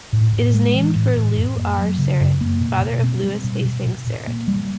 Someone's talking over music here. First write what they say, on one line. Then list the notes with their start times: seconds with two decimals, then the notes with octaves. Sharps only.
It is named for Lew R. Sarett, father of Lewis Hastings Sarett.
0.13 A2
0.33 A2
0.54 G#3
0.75 E3
0.96 A2
1.16 A2
1.37 F#2
1.58 A#3
1.78 F#3
1.99 C#3
2.20 F#2
2.41 A#3
2.61 B2
2.82 B2
3.03 C4
3.23 G3
3.44 B2
3.64 B2
3.86 A#2
4.07 A#2
4.27 A#3
4.48 G3